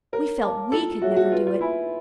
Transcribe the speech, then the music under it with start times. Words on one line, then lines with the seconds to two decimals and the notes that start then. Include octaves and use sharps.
We felt WE could never do it.
0.13 A#4 C#5
0.42 F5 A5 D6
0.72 F4 A4
1.02 F#4 G#4 C#5 E5
1.16 F#4
1.32 F4 B4
1.47 F4
1.61 E4 E5 G#5 B5